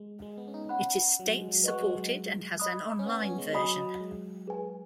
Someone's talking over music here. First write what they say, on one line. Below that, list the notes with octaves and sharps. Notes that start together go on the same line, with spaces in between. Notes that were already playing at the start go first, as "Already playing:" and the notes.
It is state supported and has an online version.
Already playing: G#3
G#3
B3
C#4
D#4
C#4 F#5 B5 F#6
F#3
G#3
F#3
G#3 B4 D#5 F#5 C#6 F#6
F#3
G#3
D#5 B5 D#6 F#6
C#4
B3
C#4
G#3
F#3 D#5 G#5 B5 D#6
F#3
G#3
G#4 B4 G#5